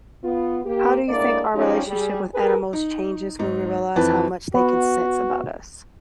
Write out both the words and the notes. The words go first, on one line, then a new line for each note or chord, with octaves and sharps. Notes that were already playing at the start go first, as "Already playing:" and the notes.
How do you think our relationship with animals changes when we realize how much they can sense about us?
B3 F4
A#3 G4
A2 G#3 A#3 D4 D5
F3 G3 C#4 D#4 G4 C#5
G3 G#4
G#4 A#4 B4
D#4
G#2 D#4
F2 E3 B4 A5
B3 F#4